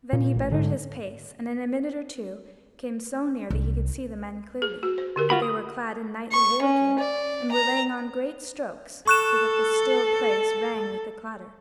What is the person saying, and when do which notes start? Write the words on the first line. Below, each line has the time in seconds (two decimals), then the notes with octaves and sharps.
Then he bettered his pace, and in a minute or two came so near that he could see the men clearly, that they were clad in knightly war-gear, and were laying on great strokes so that the still place rang with the clatter.
0.13 A#2
0.36 A1
0.52 G#2 D3
3.50 C2
4.62 G#4
4.83 F#4
4.98 C5
5.16 D3 G4 A#4
5.30 F4 F#4 B5
5.42 D#6
6.32 C#6
6.62 C#4
6.99 D5
7.52 A#5
9.07 A4 C#6 F#6 E7